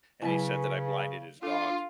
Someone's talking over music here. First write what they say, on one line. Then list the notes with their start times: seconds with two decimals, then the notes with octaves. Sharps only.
and he said that I blinded his dog.
0.22 C#3 F#3 B3 E4 B4 G#5
1.43 D4 F4 A4